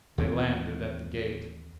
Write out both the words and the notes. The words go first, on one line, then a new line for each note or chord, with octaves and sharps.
They landed at the gate.
D#2 E3 F3 C4